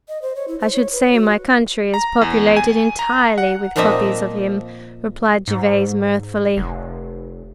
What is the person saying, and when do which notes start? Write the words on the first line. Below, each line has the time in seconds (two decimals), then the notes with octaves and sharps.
"I should say my country is populated entirely with copies of him," replied Gervase, mirthfully.
0.09 D#5
0.22 C5
0.35 C#5
0.48 E4
0.60 C5
0.73 C#5
0.92 B4
1.13 F#4
1.94 A#5
2.21 E2
2.56 G#5
2.99 A#5
3.38 F#5
3.76 A#2 F3 A#3 C4 D#5 E5
5.48 G#2
6.57 F1